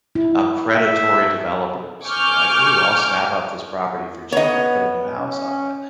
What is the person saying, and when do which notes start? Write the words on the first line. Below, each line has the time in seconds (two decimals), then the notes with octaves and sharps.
um, predatory developers who were like, "Ooh, I'll snap up this property for cheap and put a new house on it."
0.15 E4
0.69 E5
2.04 G#5 C#6 D6 F6 G6
4.32 B3 C#5 D#5
5.18 C#4